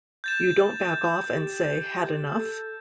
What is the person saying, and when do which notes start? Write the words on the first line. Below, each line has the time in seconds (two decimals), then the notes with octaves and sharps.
You don't back off and say Had enough?
0.24 G6 A6 E7
1.32 G4
2.35 A4